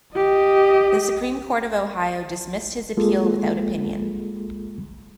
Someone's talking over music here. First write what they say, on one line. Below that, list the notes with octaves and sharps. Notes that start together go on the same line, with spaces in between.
The Supreme Court of Ohio dismissed his appeal without opinion.
G4 D#5
G#3 A#3 F4 G#4 A4